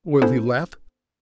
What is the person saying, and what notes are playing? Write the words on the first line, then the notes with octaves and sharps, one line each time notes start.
Will he laugh?
B3 C#4 D4 E4 A4 C5